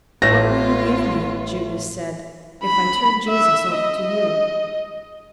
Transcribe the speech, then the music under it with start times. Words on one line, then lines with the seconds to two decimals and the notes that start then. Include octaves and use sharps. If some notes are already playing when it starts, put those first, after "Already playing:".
"What will you give me," Judas said, "if I turn Jesus over to you?"
0.22 A1 A2 A3 B3 F4 A#6
2.65 B5
3.30 E5
3.76 D#5